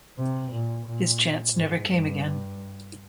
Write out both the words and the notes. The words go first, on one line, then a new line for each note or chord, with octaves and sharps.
His chance never came again.
C3
A#2
A#2
G#2
G2